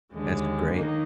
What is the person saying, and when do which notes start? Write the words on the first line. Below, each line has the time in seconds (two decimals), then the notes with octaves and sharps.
That's great.
0.12 D#2 D3 G#3
0.71 D#3 A#3 D#4